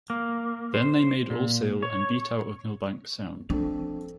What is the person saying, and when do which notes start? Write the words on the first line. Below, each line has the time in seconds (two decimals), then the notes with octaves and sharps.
Then they made all sail and beat out of Milbanke Sound.
0.10 A#3
0.74 C5
1.30 A#2
1.83 C#5
3.50 F3 C4 D4 A4